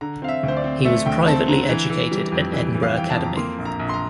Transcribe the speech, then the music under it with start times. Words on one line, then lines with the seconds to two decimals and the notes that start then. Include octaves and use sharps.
He was privately educated at Edinburgh Academy.
0.01 D3 A#5
0.22 C4 F5
0.29 E5
0.43 D2
0.48 C5
0.57 D5
0.64 C4
0.85 A3 E5
1.06 D2 G5
1.27 C4 A5
1.48 D3 A#5
1.69 E3
1.90 E3
2.11 G3
2.32 F2
2.53 E3
2.74 E3
2.83 F5
2.96 E3 G5
3.10 A5
3.17 F2
3.24 A#5
3.37 A#3 C6
3.58 A#1
3.65 A#5
3.79 A#1
3.89 C6
3.94 A#5